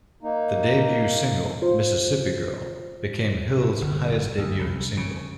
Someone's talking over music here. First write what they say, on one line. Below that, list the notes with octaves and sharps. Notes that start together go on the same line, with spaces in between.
The debut single, "Mississippi Girl", became Hill's highest-debuting single.
A#3 D#4
F4 C5
G1
F#1
D2
C2
C#3